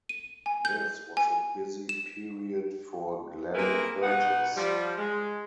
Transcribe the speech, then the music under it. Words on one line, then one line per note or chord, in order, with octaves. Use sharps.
This was a busy period for Glenn Curtiss.
D#7
G#5
G6
G#5
E7
A#3 C4 E4 G#4 A#4 B4
B2 D#4 F#5
F3 G3
G#3